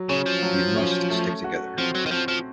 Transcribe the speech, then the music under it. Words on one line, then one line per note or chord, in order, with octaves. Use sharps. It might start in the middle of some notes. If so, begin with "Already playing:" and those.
We must stick together.
Already playing: F#3
C#3 C#4
F3
F#3
C#4
A3
F#4
F3 C4
F#3
D#3
F3 C4
F3